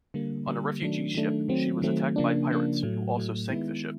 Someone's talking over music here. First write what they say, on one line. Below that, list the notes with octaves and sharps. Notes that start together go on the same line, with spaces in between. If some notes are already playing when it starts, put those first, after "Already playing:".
On a refugee ship, she was attacked by pirates, who also sank the ship.
D3 G3 A#3
D3 G3 A#3
D#3 F#3 A3 D4
D#3 F#3 A3 D4
D#3 F#3 A3 C4
D#3 F#3 A3 C4
C#3 F3 A#3 D4
C#3 F3 A#3 D4
A2 F#3 A3
A2 F#3 A3
D#3 G#3 B3 E4